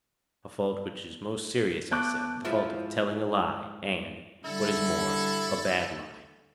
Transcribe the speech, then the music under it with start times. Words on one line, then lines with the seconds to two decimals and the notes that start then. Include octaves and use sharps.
A fault which is most serious, I said; the fault of telling a lie, and, what is more, a bad lie.
1.92 B3 A5 D6 F#6 G6 D7
2.45 G#2 F3 E4
4.44 D3 G3 E4 A4